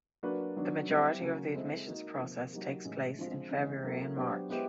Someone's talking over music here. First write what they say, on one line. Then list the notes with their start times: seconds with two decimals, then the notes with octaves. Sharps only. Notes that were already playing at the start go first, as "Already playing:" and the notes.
The majority of the admissions process takes place in February and March.
0.23 F#3 A#3 D4 F#4 B4
0.56 D#3 F#3 B3 D4
0.88 G3 C4 E4 G4
1.21 C#3 F#3 A#3 C#4
1.54 G#3 C4 E4 A4 C5
1.86 A#3 D#4 F#4 A#4
2.20 C3 F3 A#3
2.53 F#3 A#3 D#4 G4
2.85 A2 E3 G#3 C#4 E4
3.18 D3 F3 G#3 C4 F4
3.50 C3 E3 G#3 C#4
3.83 F#3 A#3 C#4 E4 A4
4.16 F#3 B3 D4 G4 C5
4.49 G#3 B3 E4 G4 C5